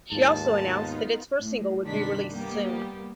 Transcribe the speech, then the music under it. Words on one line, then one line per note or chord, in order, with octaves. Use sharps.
She also announced that its first single would be released soon.
D#2 G#2 B3 D#4 F4 A5
A2
G2 C3 D#3 G3 D4 B6
G3 A#3 B3 G4